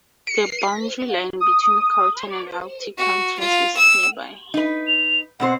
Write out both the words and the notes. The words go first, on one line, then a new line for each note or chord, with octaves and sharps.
The boundary line between Carlton and Aitkin counties is nearby.
D#6
F#4
F4
E6
D#4 B4
F7
B2 C4 C5 F#5